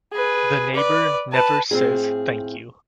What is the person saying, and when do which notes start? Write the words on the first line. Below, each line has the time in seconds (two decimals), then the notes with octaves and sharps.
The neighbor never says thank you.
0.12 G#4 B4
0.74 B4 D5
1.32 B4 A5
1.71 A2 C4 F4 G#4